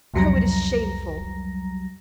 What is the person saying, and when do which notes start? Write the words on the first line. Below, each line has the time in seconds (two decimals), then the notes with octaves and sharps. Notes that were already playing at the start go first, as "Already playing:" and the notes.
Oh! it is shameful!
0.14 C2 F2 F#3 G3 A#5 A#6